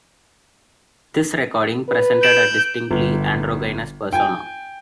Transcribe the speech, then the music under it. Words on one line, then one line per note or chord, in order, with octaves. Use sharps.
This recording presented a distinctly androgynous persona.
B4
G6 D7 E7 F#7
G1
G5 G#5